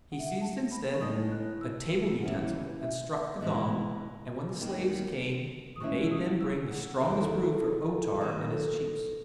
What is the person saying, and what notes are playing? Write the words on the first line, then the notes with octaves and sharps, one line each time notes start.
He seized instead a table utensil and struck the gong, and when the slaves came bade them bring the strongest brew for O-Tar and his chiefs.
F#5
E5
F#5
A5
B5
C#6
A2 G#3 B3 D#4 D#6
F#6
E6
D#2 C#3 E3 B3 E4 F#5
E5
E5
G#2 E3 G#3 B3 D#5
D#2 D#3 G#3 B3
D#6
E2 B2 G#3 C#4 E4 C#6
E6
D#6
E6
F#5
E2 D#3 F#3 A3 E5
B4
A4
G#4
A4
G#4
G#4
A4
D#3 F#3 B3 D#4 B4
C#5
B4
A4
A4